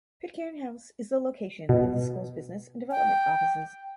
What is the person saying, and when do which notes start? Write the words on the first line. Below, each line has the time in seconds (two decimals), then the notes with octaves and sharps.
Pitcairn House is the location of the school's business and development offices.
1.69 B2
2.91 G5